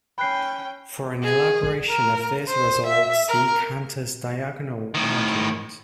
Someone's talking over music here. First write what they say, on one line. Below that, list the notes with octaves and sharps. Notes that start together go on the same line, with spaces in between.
For an elaboration of this result see Cantor's diagonal argument.
C#4 G5 B5 F#6 C7
G#4
A#4
C5
E5
A#4
A2 D#3